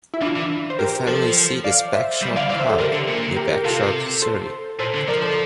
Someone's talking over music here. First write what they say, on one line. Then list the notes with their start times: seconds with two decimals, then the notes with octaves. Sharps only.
The family seat is Bagshot Park, near Bagshot, Surrey.
0.14 E4
0.21 E3 D4 F4
0.36 E3
0.70 C5
0.79 G4 A#4
1.07 F3 A4 C5
1.64 D5 F5
1.93 C5 E5
2.22 G3 C5 E5
2.36 D3 D5 F5
2.50 E3 D5 F5
2.60 C5 E5
2.70 A4 C5
2.79 D3 G4 A#4
2.93 D3
3.08 A#2
3.36 G4 A#4
3.50 G4 A#4
3.65 C3 F4 A4
4.22 A4 C5
4.79 A#2 A4 C5
4.94 D3
5.08 F3 A#4 D5
5.22 A4 C5